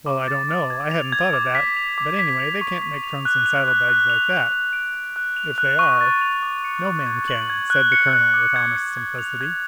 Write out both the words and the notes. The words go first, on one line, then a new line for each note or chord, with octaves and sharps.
"Well, I don't know--I hadn't thought of that--but anyway they can't make trunks and saddle-bags like that, if they are--no man can," said the Colonel with honest simplicity.
D6
A6
D6
G#6
F7
G#6
D6
B6
F7
D6
B6
F7
C#6
B6
F7
F#6
F7
F#6
F#6
F7
F#6
F#6
D7
F#6
F#6
F7
F#6
C#6
A6
F7
D6
C#7
D6
G#6
F#7
G#6
F#6
C#7
F#6
D6
G#6
C#7
G#6
F7
G#6